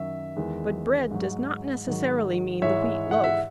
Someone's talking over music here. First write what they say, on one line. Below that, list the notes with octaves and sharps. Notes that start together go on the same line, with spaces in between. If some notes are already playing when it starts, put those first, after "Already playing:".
But "bread" does not necessarily mean the wheat loaf.
Already playing: F#2 D#3 F#3 E5
E2 D#3 G#3
G#2 F#3
G#2 D#3 F#3
G#2 E3 G#3 C#5 E5
F#5
E5